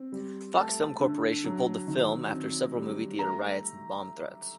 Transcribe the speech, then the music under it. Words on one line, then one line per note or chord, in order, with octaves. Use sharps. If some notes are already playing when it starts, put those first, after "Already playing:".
Fox Film Corporation pulled the film after several movie-theater riots and bomb threats.
Already playing: C4
G3
A3 A5
D3
F#3
D#3
C4
G3
A3 A#5